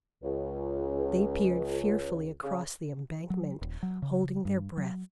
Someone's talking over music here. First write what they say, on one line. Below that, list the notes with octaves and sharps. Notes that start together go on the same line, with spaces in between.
They peered fearfully across the embankment, holding their breath.
C#2
C#3
F#3
D#1
F#3
C#3
G2
F#3